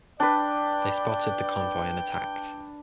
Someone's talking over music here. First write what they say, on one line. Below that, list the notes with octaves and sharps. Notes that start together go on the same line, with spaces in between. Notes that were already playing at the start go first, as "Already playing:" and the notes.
They spotted the convoy and attacked.
D4 B4 D5 G5